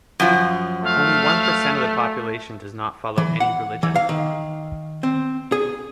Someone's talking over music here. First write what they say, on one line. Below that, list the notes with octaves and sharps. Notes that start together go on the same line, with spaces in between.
Only one percent of the population does not follow any religion.
F#2 F3
A3 F5
E3
F#5
E3
F5
D#3
C4
G#4